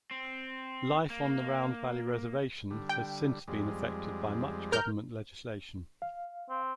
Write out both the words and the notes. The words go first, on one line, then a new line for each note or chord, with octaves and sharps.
Life on the Round Valley Reservation has since been affected by much government legislation.
C4
A#3
D3 G3
G5
F2 G3 G#3
A#4 F6 G6
F5
C4